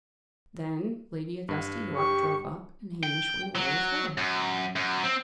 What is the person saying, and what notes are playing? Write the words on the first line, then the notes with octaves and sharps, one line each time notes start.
Then Lady Augusta Yorke drove up, and Hamish went away with her.
G2
G4 C#6
G5
F#3
F#2
F#2
C4